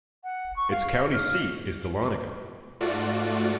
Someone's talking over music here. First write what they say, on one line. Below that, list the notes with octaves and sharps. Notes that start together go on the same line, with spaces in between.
Its county seat is Dahlonega.
F#5
C#6
F5
F6
G#2 A3 F4 F#4 D5